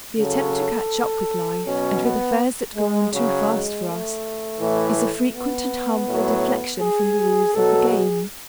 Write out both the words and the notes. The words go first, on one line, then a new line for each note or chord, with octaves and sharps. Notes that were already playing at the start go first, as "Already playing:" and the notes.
The attempt to catch up with life and with affairs that go on too fast for us is a frequent and harmful deflection from the rules of the game.
C#3 F#3 A4
B2 F#3 C#4
B3
G#3
C#3 F#3
G#3
A3
A2 E3
B3
A2 F#3
G#4
B2 F#3 A4
G#4